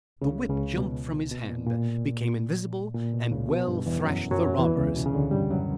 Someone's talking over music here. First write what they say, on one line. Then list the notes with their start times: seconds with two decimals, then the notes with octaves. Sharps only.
The whip jumped from his hand, became invisible, and well thrashed the robbers.
0.22 C#2 C#3
0.48 C#2 C#3
0.77 B2
1.31 B2
1.49 A#2
1.67 A#2
2.95 A#2
3.13 B2
3.31 C#2 C#3
3.50 B2
3.67 G2
3.86 E2 E3
4.04 F#2 F#3
4.31 F#2 F#3
4.58 E2 E3
4.77 C#2 C#3
4.95 B2
5.06 C#3
5.13 D2 D3
5.31 G2 G3
5.50 F#2 F#3